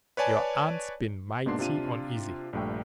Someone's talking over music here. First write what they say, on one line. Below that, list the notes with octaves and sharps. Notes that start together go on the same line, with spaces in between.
"Your aunt's been mighty uneasy."
B4 C#5 D5 G#5 A5
G#2 B2 A#3 D4 C6 C7
C3 D4 F4 D#7
A#1 G2 A3 G5